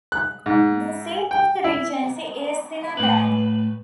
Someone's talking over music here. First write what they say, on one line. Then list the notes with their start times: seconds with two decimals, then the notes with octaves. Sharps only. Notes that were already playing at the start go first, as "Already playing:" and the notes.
The seat of the regency is Sinabang.
0.12 F#6
0.46 G#2
1.31 G5
1.64 E4
2.97 A2 B4